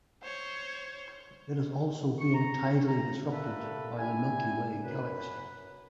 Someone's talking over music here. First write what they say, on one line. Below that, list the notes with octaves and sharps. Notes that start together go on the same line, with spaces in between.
It is also being tidally disrupted by the Milky Way galaxy.
C5 C#5
C#6
A#5
A#5
G3 A3 A#3 A4 B4
D4 E4 G4 G#5
F#2 B4